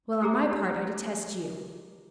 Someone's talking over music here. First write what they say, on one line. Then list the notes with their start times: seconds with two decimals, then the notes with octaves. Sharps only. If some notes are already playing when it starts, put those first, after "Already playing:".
"Well, on my part, I detest you."
0.22 G4 G#4 A#5 D6